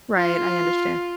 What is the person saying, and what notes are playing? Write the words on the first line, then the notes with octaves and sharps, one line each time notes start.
Right. I understand.
F4